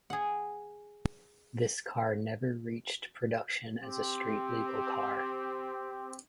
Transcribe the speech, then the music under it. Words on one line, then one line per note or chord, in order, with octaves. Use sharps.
This car never reached production as a street-legal car.
G#4 F#5
C4 G4